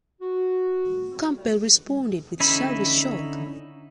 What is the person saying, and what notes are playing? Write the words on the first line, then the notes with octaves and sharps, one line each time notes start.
Campbell responded with Shall we Shog?
F#4
D3 C#4 D#4 E4 B5